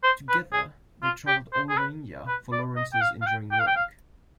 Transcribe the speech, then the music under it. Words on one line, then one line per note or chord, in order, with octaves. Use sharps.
Together, they travelled all over India for Lawrence's engineering work.
C5
B4
G#4
F4
G4
C5
G#4
B4
B4
D5
D#5
G5
F5
F5
G5
G5
F5
G5
F5